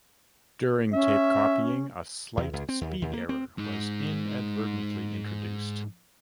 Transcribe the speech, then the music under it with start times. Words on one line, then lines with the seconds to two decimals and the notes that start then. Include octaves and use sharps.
During tape copying a slight speed error was inadvertently introduced.
0.93 C#4 E5
2.37 E2
2.53 C#2
2.69 C4
2.81 D#2
3.02 D#2
3.13 A#3
3.29 C4
3.58 G#2 D#4